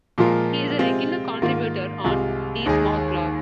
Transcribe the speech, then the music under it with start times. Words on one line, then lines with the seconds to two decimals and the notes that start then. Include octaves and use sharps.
He is a regular contributor on DeSmogBlog.
0.18 A#2 F3 G#3 F4 A#4
0.79 C3 G#3 C4 F4
1.42 G#2 D#3 A#3 F4
2.04 C2 C3 G#3 F4
2.66 D#2 D#3 G#3 D#4 G#4